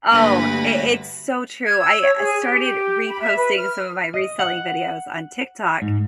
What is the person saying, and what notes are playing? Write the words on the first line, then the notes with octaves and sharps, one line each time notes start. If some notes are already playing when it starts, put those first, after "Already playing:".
Oh, it it's so true. I I started reposting some of my reselling videos on TikTok
D2 G2 A#3 B4 B5 A#6
G#6
E6
C#5
G#4
G4
B5
E5
B4
F6
D#5
F#5
G#2